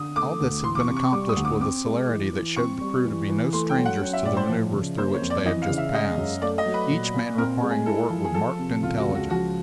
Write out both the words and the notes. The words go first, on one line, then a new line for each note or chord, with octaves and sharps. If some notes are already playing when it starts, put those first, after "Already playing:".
All this had been accomplished with a celerity that showed the crew to be no strangers to the manouvres through which they had just passed, each man requiring to work with marked intelligence.
Already playing: D3 D#6
A3 D6
D2
E3 C6
D6
C#6
C3
C#6
G3 D6
D#6
D2
D6
C4 D6
G#3
E3
E3
C4 C#6
G3
E3
E3
A3 C6
G5
F#3
F#5
C#4
E5
A2 D5
C5
F3
C#3
A#3 C5
C#5
F2
D5
E3 D#5
F5
C#3
E5
G#3 D#5
F#2
A3 D5
D#5
F#3
B4
A#2
A#2
C4 A#4
G#3
G#4
E4 A4
F3
G#4
F3 A4
C3
C#2 F4
F#4
C#2
F#4
F3 F#4